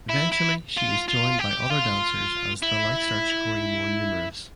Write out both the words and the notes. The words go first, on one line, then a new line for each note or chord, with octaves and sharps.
Eventually she is joined by other dancers as the light starts growing more numerous.
E4
E4
F4
F4
G4
F4
E4